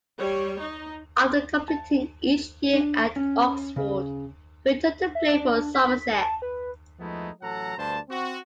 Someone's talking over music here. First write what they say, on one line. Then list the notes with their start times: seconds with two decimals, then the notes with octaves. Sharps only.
After completing each year at Oxford, he returned to play for Somerset.
0.18 G3 C#5
0.61 D#4
1.68 A5
2.73 D4
3.16 C#4
3.76 C#3
5.15 E5
5.34 D4
5.74 B6
6.21 A5
6.42 B4
6.99 F3 G#3 A3 B3 D#4 E4
7.41 A1 F#3 A4 F#5 A#5
7.77 D2 G2 D4 C5 A5
8.09 C4 F#4